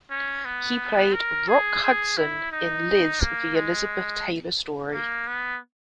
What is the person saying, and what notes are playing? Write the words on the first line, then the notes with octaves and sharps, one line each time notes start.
He played Rock Hudson in "Liz: The Elizabeth Taylor Story".
C#4
B3
A#4
G#4
G#4
E4
D#4
A#3
G#3
A#3
B3